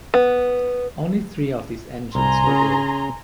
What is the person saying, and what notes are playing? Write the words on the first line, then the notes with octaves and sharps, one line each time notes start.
Only three of these engines were built.
B3
C2 G#5 A#5 C6
C#3 C#4